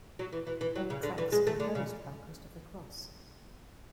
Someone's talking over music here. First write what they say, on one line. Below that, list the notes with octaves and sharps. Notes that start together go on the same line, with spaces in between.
All tracks composed by Christopher Cross.
F#3
E3
E3
E3
F#3
C#3
D3
E3
G#3
A3
D3
C#3